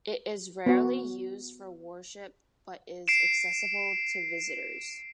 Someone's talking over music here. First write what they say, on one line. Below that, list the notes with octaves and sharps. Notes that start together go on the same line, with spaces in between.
It is rarely used for worship but is accessible to visitors.
B3 F#4
C7 D7 E7